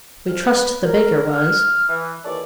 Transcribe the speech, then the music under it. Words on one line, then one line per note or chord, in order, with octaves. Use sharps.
We trust the baker was.
F2 F6
B4
A#4
F6
E3
D#2 E3 A4 C#5 D5